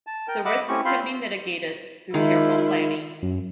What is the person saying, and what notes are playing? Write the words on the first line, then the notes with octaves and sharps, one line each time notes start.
The risks can be mitigated through careful planning.
A5
A#4 G5
D#5 E5 F#5 B5 D6 E6
A3 C4 C#4 E4 G4 C#6
C4 F4 C5 F5 B5 C6
D#3 G#3 E4 F4
F#2